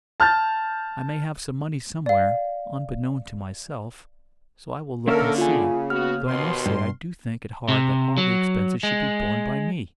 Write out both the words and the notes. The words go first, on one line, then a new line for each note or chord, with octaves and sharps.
I may have some money somewhere, unbeknown to myself, so I will look and see; though I must say I do think it hard that all the expenses should be borne by me!'
A5 F6 G6 A6
D5 F5
D3 A#3 C#4 A4 A#4 E5
C#3 F4 G#5
B3 F#4 F6
D#2 B2 C6
G2
C3
F#3
G#3